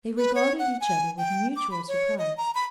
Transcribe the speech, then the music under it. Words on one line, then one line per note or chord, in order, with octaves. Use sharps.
They regarded each other with mutual surprise.
B4
C#5
F#5
G#5
G5
D6
B5
C#5
D#5
A#5
B5